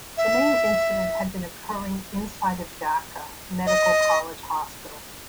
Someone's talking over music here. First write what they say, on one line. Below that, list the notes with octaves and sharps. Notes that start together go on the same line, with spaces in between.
The main incident had been occurring inside of Dhaka medical college hospital.
E5
D#5